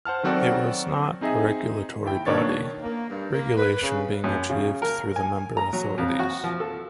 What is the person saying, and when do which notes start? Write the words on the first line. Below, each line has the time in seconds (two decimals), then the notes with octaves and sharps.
It was not a regulatory body, regulation being achieved through the member authorities.
0.05 C5 F#5 A5 F6
0.23 D#3 F#3 C4 F#4 A4 D5
1.21 C4 D#4 G#4 D#5 E5
2.04 D#2 E4 G5
2.26 B2 D#3 A#3 D4 C#5 A6
2.83 A#3
3.10 G2
3.33 A#3
3.57 B4
3.82 C#3
4.24 F#2
4.50 C#3
4.82 A#4
5.16 G#5
5.57 A#5
5.73 F#3
5.98 F2
6.19 F#4
6.44 F3
6.60 A4